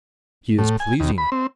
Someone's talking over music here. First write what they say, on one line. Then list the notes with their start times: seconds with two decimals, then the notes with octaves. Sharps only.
He is pleasing.
0.58 A2
0.80 G#5
1.00 D#2
1.18 B5
1.32 C4